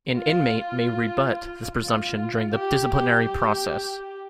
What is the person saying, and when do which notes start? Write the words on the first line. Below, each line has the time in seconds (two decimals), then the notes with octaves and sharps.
An inmate may rebut this presumption during the disciplinary process.
0.16 F4
1.35 F4
1.75 F4
2.54 G4
2.93 G4